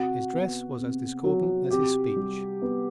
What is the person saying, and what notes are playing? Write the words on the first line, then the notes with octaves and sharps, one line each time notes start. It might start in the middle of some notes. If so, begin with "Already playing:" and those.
His dress was as discordant as his speech.
Already playing: C3 F#4
B3
C3
F#3
C3 G4
G3
B3